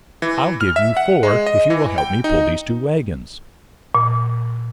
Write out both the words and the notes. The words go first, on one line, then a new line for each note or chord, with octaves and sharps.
"I'll give you four if you will help me pull these two wagons."
E3
F6
E5
F#5
G#3
D#5
E3
G5
D#4
A#2